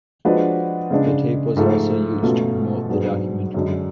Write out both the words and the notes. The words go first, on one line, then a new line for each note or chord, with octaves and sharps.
The tape was also used to promote "The Documentary".
F3 G#3 D4 F#4 B4
C#3 G#3 D4
G#2 F3 A3 F4
B2 A3 C#4 F4
G#2 F#3 B3 D4 G#4
F#2 D3 G#3 D4